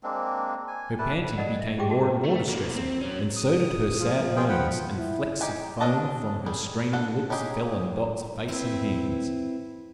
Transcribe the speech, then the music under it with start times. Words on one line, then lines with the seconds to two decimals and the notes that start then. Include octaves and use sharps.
Her panting became more and more distressing, and so did her sad moans; and flecks of foam from her straining lips fell on Dot's face and hands.
0.03 G#3 A#3 C4 D4
0.68 G#5
0.98 G3 E4 B4 A5
1.38 A4 A#4 D5 D#5 F#5
1.61 E5
1.78 F4 G4 G#4 G5 D6
1.90 F#4 A5
2.26 A3
2.49 A2 A#3
2.76 C4
3.01 F#3 C#4
3.36 D#6
3.99 F3
4.36 F4 G#4 G5
4.49 F#5 G5 B5
4.98 E4
5.41 D#4 G4 G#5
5.80 C#4 D4 A4 D#5 A5
6.46 G3 G#4
6.93 D4 A4 F#5
7.30 C#4 D#4 G4 G#4
8.48 C4 E4 B4